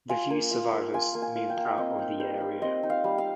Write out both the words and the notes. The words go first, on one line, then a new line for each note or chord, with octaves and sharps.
The few survivors moved out of the area.
F4 G#5
A#3
F4
A#3
F4 G#5
A#3
G#5
F4
G5
A#3
F5
C4 D#5
D#4
G3 C5
G3
C4 D#5
D#4
F5
G3
F5